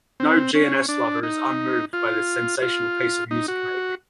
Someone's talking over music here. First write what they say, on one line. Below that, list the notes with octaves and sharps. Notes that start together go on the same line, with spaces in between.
No G and S lover is unmoved by this sensational piece of music making.
C4
C#4
D4
D#4
F4
F4
D#4
F#4